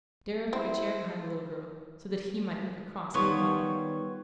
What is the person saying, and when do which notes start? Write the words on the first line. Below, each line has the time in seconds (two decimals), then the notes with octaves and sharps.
Darrow took a chair behind the little girl, so that he might look across at her mother.
0.53 C4 E4 C5
3.14 D#3 G3 B3 F4 C#5